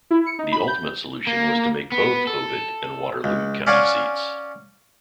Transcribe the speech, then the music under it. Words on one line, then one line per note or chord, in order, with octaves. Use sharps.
The ultimate solution was to make both Ovid and Waterloo county seats.
E4
C#7
D#4
B5
G6
A#3
B3
A4
C#2
C#4 D5 F5 F#5 G#5 C#6